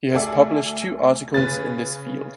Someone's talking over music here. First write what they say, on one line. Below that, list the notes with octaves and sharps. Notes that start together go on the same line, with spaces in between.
He has published two articles in this field.
D2 G#4 A4 D5 E5
C#3 B4 A6